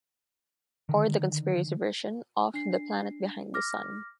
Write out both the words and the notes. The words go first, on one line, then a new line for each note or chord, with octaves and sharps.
Or the conspiracy version of the planet behind the sun.
D3 D#3
D4 C7
D6 F6 A#6